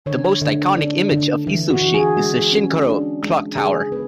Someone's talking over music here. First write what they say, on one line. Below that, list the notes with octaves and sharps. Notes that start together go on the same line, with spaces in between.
The most iconic image of Izushi is the "Shinkoro" clock tower.
D3 C#5
D3
D4
D3
E3
F#4
E3
G#4
G#3
C#4
D4
G#3
C#3 G#4
B3 B4